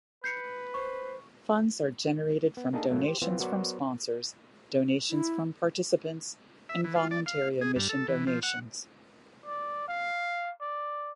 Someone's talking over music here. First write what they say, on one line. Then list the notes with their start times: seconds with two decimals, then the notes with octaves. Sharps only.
Funds are generated from donations from sponsors, donations from participants and voluntary admission donations.
0.24 B4 G6 C7 C#7
0.74 C5 C#6
2.57 B3
2.73 A#3 D4 D#4 G#4 A4
2.89 A2 F#3 A3 A#3
3.05 G4 C5
3.22 E3 B3 C4 F4
3.40 F#3 B3 F#4 A#4 C5 D5
5.10 E4
6.69 E5
6.84 E3
6.96 F4
7.11 D5
7.26 F5
7.61 G#4
7.76 G2
7.89 A4
8.08 E3
8.27 F3
8.43 F#5
9.46 D5
9.88 F5
10.61 D5